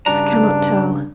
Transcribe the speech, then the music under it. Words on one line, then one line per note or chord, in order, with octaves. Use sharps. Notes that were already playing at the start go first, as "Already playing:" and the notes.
I cannot tell.
G2 C#3 D4 F#4 A#5